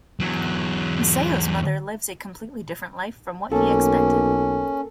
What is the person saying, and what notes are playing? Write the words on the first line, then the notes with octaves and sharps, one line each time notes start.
Masao's mother lives a completely different life from what he expected.
E2 F#3
B1 A#3 C#4 A4